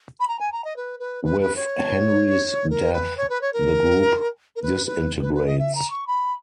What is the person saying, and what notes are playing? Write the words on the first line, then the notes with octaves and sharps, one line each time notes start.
With Henry's death, the group disintegrates.
B5
A#5
G#5
A#5
D#5
B4
B4
B4
B4
C#5
A#4
B4
C#5
B4
C#5
A#4
A#4
B4
B4
B4
B4
D#5
E5
A#5
C#6
B5